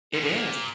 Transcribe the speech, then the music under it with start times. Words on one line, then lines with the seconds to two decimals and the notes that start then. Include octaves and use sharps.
It is.
0.15 G#2
0.23 A2
0.33 A#2